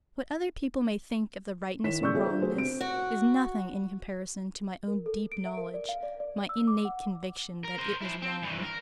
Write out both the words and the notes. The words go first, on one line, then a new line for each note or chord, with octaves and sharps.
'What other people may think of the rightness or wrongness is nothing in comparison to my own deep knowledge, my innate conviction that it was wrong.
D#3 E4 C#5 B6 E7
A2 C#3 D5 C#6 E6 G6
G3 F4 G#4 A4 C#5 E5
D4 F4 C5
A3 F#4 G#4 C5
C3 D7
F#4
A#4
A4
D7
E5
A#4
D5
F5
D5
D5
E6
D6
F#5
A#4
A#4 C5
E4 C5
C4
G2 E3
A#4